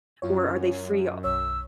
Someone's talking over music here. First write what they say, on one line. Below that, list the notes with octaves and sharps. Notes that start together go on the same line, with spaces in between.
or are they free e
F#2 C#4 F4 C#5
B1 C#5 E6